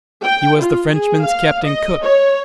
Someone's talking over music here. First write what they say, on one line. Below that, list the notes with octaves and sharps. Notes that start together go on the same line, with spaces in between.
He was the Frenchman's Captain Cook.
G5
F4
G#4
F5
D#5
C#5